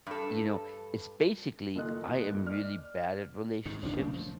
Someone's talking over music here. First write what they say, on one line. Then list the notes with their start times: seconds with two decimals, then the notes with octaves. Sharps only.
you know, it's basically, I am really bad at relationships,
0.07 G2 A4
1.75 F#1 D#2 F4 A4 D#5 F#6
2.46 D5 F6
3.65 G#2 D#3
3.83 F#1 D#2 F3 D4
3.96 A#2 C#3 A3
4.13 F3